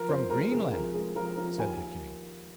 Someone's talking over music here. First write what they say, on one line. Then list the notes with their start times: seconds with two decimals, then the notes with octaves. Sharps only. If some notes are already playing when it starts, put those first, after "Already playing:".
"From Greenland!" said the king.
Already playing: F3 A#4
0.08 F2 C5
0.30 G#3 A#4
0.52 C3 G#4
0.73 F3 A#4
0.94 G#3 G#4
1.15 F3 A#4
1.37 F3 A#4
1.58 D#2 G#5